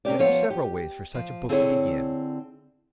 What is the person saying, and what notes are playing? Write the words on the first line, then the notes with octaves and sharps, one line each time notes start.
There are several ways for such a book to begin.
C3 C#4 G4 D5
F3 B3 C#5
G4
F3
D3 C4 E4 G#4 C5 C#5